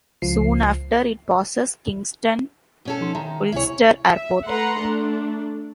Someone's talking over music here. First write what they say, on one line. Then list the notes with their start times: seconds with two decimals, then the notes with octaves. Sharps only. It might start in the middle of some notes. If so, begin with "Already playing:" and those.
Soon after, it passes Kingston-Ulster Airport.
0.22 C#2 F3 C7
2.85 B2 C#4 A4
3.01 F3 D#4 C6
3.15 D#3 E5 A#5
3.52 C#2 C3 E4 C#5 G#5
4.10 E5
4.47 A3 B4 F#5 A#5 C6
4.78 A3 D4